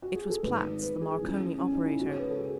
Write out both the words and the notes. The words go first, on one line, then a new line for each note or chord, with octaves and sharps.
It was Platts, the Marconi operator.
F#4
G#4
A4
G#1 G#2 D#3 B4
B4
G#4
C#2 C#3 E3
C#4
D#4
E4
C#2 C#3 G#3 F#4
C#5
B4
A4
G#4